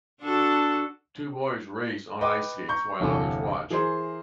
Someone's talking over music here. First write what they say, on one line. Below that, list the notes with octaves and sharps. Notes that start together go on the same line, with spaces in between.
Two boys race on ice skates while others watch.
D4 F#4 A4
B4 D#5 G5 D6
A#5 C#6 G6
G1 E2 C3 E3 A4 G#5
E3 G#4 A#4 C5